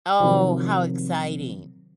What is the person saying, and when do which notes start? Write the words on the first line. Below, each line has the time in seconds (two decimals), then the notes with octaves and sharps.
Oh, how exciting,
0.20 C3 D#3 F3 F#3